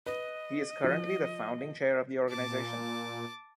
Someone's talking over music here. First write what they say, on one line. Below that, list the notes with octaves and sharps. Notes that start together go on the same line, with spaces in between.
He is currently the founding chair of the organization.
B4 D#5
F3
A#2 A5 D6